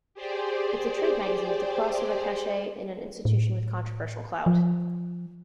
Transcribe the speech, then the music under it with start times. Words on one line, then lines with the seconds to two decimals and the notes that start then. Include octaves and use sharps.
It's a trade magazine with crossover cachet and an institution with controversial clout.
0.14 G4 G#4 C5 D5
3.25 A2
4.46 F3